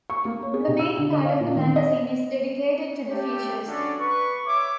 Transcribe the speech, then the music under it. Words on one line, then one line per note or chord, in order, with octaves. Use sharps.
The main part of the magazine is dedicated to the features.
C#6
A#3
C#5
G#4
C3
E6
D3
D#5
F5
A#2
D#3
D#5
A3 G4
C#4 D4 F#4 A4 D5
B4 C#6
C#5 E5 D6